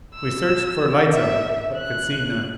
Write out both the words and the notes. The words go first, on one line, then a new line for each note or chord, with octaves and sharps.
We searched for lights of it, but could see none.
E6
E5
F#6